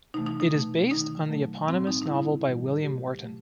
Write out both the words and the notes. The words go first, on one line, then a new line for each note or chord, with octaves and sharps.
It is based on the eponymous novel by William Wharton.
C3 E3 A3 D#4
D#4
D#4
B2 A3
D#3 A3 D#4
B2 F#3 A3
A2 G3 C4
D#4
D#4
B2 G3 E4
A2 E3 G3
C3 F#3 A3 G4
B2 F#3 A3